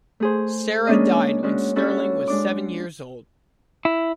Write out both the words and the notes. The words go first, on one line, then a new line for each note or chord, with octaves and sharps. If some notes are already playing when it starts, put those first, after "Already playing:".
Sarah died when Sterling was seven years old.
A3 G#4 C5
G#3 A#3 C#4 D4 E4 D#5
G#3 C#4 D4 F#4
C#4 D4 E4 F#4 A4
G#3 D4 D6
E4